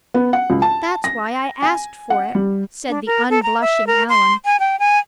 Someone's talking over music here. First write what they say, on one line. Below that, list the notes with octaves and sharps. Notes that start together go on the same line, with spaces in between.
"That's why I asked for it," said the unblushing Allan.
B3
F#5
C#2
A5
A#6
G#5
F#5
G3
D4
A#4
A4
A#5
E5
A#4
C6
G#5
G5
G#5